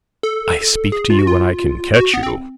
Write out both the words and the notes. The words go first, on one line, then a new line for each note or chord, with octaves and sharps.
I speak to you when I can catch you.
A4
G#4
F4
F#4
F4
F#4
B3
C4